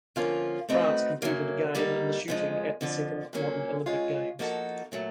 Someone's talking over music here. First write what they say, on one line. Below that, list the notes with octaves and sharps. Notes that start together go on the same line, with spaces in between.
France competed again in shooting at the second modern Olympic Games.
D3 F3 A#3 C#4 F4
A3 C4 D#4 F#4 B4
F#2 C#3 F#3 A#3
D3 G3 A#3 D#4
F2 C#3 F3 G#3
F2 D3 F3
A#2 F#3 A#3 C#4
G#3 C#4 F4
F3 A#3 D#4 F#4 A4
A#2 F#3 A3